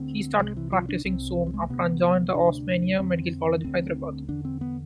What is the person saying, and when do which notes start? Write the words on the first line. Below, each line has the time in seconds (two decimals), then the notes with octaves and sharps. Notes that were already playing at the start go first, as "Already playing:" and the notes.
He started practising soon after and joined the "Osmania Medical College," Hyderabad.
Already playing: D2 D3 C4
0.39 C2 C3 G#3
0.57 E3
0.72 F3
0.89 D4
1.05 C2 C3 C4
1.47 F3
1.54 G#3
1.62 A3
1.70 D2 C3 B3
2.34 D2 C3 D4
2.99 F2 D3 C4
3.64 D2 D3 C4
4.29 E2 D3 D4
4.45 C4
4.61 B3